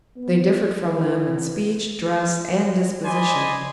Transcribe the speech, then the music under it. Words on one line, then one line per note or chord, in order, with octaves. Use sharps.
They differed from them in speech, dress, and disposition.
B3
E3
C5 D5 D#5 G#5 B5 C6